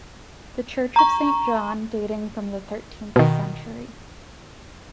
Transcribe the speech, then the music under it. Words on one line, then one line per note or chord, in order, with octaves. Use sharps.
The church of Saint John, dating from the thirteenth century.
A#5 C#6
B2 D#3